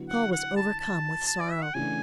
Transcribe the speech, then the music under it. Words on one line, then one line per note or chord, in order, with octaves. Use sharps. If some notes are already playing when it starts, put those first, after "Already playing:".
Saul was overcome with sorrow.
Already playing: D3 F#3 B3 E4
F#5
F#5
A5
A5
A5
D5
E5
F#5
C#3 E3 A3 D4 G#5